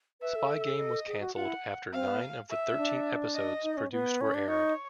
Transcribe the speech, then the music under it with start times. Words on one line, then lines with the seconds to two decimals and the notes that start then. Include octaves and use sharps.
"Spy Game" was canceled after nine of the thirteen episodes produced were aired.
0.21 B4 E5
0.35 A4
0.78 D#5
1.07 G#4
1.21 F#4
1.35 F4 F#5
1.45 E4
1.93 C4 F5
2.07 B3
2.50 E5
2.72 C#4
2.77 D4
3.34 D#5
3.63 D#4
3.77 C#4
3.92 B3
4.21 C#4
4.34 D4
4.48 D#4 C#5